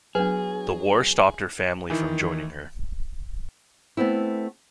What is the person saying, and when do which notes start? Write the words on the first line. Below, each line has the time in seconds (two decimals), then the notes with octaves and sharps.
The war stopped her family from joining her.
0.15 F#3 B3 D4 G#4 B4
1.90 D#3 E3
3.97 A3 B3 C4 E4